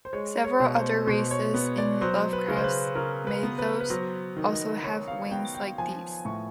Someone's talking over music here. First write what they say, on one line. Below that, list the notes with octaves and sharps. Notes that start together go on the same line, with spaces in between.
Several other races in Lovecraft's Mythos also have wings like these.
C5
G#3 C#5
C#5
B2
C5
B2 C5
C#5
B3
D5
F#3 C5
B4
C#3
C5
B4
C#3 A#4
B4
B3
B4
B4
F#3 C5
D#3
D#5
D#3 C#5
F5
B3 G5
G5
F3 G#5
A2 C#6